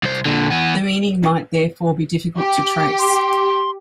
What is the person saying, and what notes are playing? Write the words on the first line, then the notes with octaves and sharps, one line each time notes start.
The meaning might therefore be difficult to trace.
C2 C5
A#2 D3
E3 B3
G4
C6